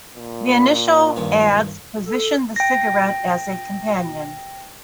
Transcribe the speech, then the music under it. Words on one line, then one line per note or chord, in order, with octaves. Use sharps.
The initial ads positioned the cigarette as a companion.
A#2
G2 D#3 F3
A4
G5 A#6